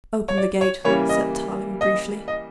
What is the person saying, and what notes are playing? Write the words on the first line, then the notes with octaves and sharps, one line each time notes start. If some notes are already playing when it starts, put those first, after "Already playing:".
"Open the gate," said Tarling briefly.
C#5
D5
C#5
C#3 E3 G3 A#3 C#5
D#5
D#5
D#5